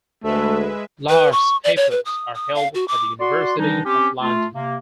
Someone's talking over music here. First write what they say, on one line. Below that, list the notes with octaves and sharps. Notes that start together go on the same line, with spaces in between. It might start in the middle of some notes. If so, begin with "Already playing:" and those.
Lahr's papers are held by the University of London.
D2 G#3 A3 B4 E5
B4
C#6
D5
C#5
B4
D#6
D#6
F5
F#4
D6
F#4 D5 C6
D#3 E3 G3 D4 D#4
C4 C#4 G4
A3 F4
C3 A#3